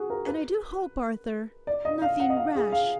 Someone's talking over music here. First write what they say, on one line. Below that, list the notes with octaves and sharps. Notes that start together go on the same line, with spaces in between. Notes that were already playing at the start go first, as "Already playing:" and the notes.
'And I do hope Arthur--nothing rash!'
Already playing: F#4 G#4
A#4
B4
D5
D#5
F5
F#5
D#5
F5
G#4
F5